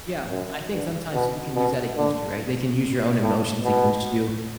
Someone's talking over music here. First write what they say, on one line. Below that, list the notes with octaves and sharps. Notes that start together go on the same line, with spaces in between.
Yeah, I think sometimes people can use that against you, right? They can use your own emotions against you,
F#2
G2
B2
B2
D3
A2
B2